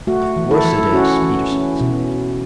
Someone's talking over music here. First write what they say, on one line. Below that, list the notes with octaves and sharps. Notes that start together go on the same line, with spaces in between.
"Of course it is," Peterson exclaimed.
A3 F#4
E3
E4 A4
E3
C#4 F#4
E3
C#4
B2